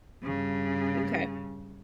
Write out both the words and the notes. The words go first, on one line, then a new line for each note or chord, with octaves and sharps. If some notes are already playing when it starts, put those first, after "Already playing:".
n okay.
G2 C#3